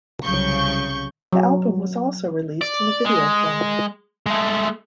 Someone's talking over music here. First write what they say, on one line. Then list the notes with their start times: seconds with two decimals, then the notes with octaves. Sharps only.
The album was also released on in video format.
0.23 C2 C#3 F#3 C#6 G6
1.33 F#3
2.61 D5
3.05 G#3
4.26 G#3 A3